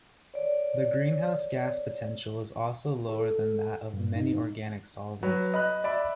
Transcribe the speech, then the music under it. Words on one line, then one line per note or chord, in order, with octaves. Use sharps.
The greenhouse gas potential is also lower than that of many organic solvents.
C#5 D5
A4
G2
D#4
F#3 B4
D#5 B5 F#6
D5 E5 B5